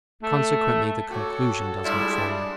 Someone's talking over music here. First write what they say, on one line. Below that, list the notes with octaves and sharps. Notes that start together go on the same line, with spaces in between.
Consequently the conclusion does not follow.
A3
F#4 G4 A4 C#5
G3 G#3 D4 E4 F4